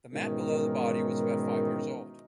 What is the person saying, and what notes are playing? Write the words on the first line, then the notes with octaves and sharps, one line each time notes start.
The mat below the body was about five years old.
G#2 B2 D#3 E3 C#4 A#4